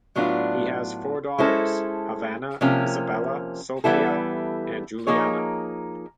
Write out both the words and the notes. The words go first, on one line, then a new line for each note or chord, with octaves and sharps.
He has four daughters, Havana, Isabella, Sophia and Juliana.
A2 F#3 B3 D4 F4
G#3 C#4 E4 A4 C5
C3 F3 A#3 C#4
E3 G3 B3 E4 A4
F3 A#3 D#4 G#4 C#5